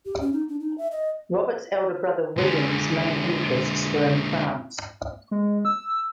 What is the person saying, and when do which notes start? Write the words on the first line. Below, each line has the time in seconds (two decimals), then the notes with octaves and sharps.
Robert's elder brother William's main interests were in France.
0.05 G4
0.21 C#4
0.33 D#4
0.49 D4
0.60 D#4
0.78 E5
0.91 D#5
2.37 D3 G#3
5.31 G#3
5.65 E6